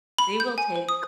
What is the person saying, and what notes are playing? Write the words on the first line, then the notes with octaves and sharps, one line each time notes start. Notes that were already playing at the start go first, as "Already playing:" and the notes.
they will take
B5
G6
G#5
C5
D#6